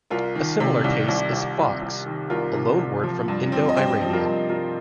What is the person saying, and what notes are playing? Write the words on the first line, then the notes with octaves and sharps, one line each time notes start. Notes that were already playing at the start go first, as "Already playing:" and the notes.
A similar case is "fox", a loanword from Indo-Iranian.
C2 F4 A#4
D#3
C3
C2
C2
C2
C2
C2
D#3
C2 F4 A#4
C3
C3
F3
G2
C4
D#5
G2 G4 C5
F3
F4 A#4
G2
G2 F4 A#4